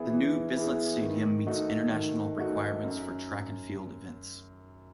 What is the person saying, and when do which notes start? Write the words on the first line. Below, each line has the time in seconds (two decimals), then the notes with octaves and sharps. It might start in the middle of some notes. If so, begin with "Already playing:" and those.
The New Bislett Stadium meets international requirements for track and field events.
Already playing: E3 B3 E4 G#4
0.10 E3
0.56 B3 E4 G#4
1.01 D#3
1.47 A3 D#4 F#4
1.92 D#3
2.38 A3 D#4 F#4
2.84 F#2